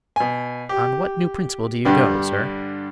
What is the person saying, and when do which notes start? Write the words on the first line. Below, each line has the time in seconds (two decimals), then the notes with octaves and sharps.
"On what new principle do you go, sir?"
0.16 B2 G#5
0.69 G4
1.85 G2 D3 G3